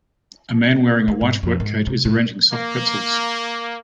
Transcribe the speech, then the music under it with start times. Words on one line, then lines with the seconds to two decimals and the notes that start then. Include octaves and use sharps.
A man wearing a white work coat is arranging soft pretzels.
1.08 A#3
1.21 G#2
1.43 F2
1.60 G#2
1.87 C3
2.05 A2
2.52 A#3